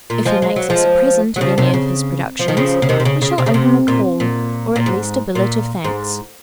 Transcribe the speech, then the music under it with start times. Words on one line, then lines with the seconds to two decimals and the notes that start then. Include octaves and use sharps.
If he makes us a present of any of his productions, we shall owe him a call, or at least a billet of thanks.
0.10 A#2
0.25 F3 G#3
0.42 G#3
0.56 F#3
0.70 F3 G#3
1.36 F#3
1.41 C#3 F3
1.58 C3 D#3
1.74 C#3
2.39 F3
2.48 D#3
2.57 C#3 F3
2.82 C#3
2.89 C3 D#3
3.00 C3
3.05 C#3
3.22 C#3
3.38 C3
3.46 C#3
3.54 C3
3.88 A#2
4.20 A#2
4.76 A#2
4.86 G#2
5.35 A#2
5.84 G#2